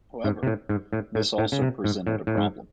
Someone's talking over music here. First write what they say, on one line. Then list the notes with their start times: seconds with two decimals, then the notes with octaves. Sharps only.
However, this also presented a problem.
0.24 G#2
0.43 C3
0.47 A2
0.69 G#2
0.93 A2
1.15 A2
1.38 A2
1.52 C#3
1.62 C3
1.84 G#2
2.07 A2
2.27 A2
2.37 G#2